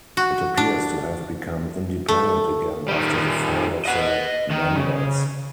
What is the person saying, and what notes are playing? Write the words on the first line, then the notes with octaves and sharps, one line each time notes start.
It appears to have become independent again after the fall of the Nandas.
F#4
D4
A3
D#3 G3
D#5 F#5
D#3
C#3